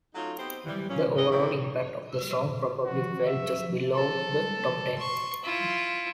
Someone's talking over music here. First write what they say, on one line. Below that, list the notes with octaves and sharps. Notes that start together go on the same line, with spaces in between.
The overall impact of the song probably fell just below the top ten.
F#3 A3 C#4 D#4 F4
B3 C4 D#4 G4 C5
E3 G3
A#2 C#4
D#2 E3 C4 D#5
A#3 C4 D#4 E4
F#4
E5
A4
C6 C#6
E4 F4